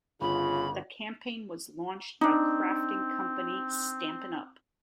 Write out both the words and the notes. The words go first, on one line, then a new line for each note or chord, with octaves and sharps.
The campaign was launched by crafting company Stampin' Up!
G1 C#3 F4 B5
C4 D4 D#4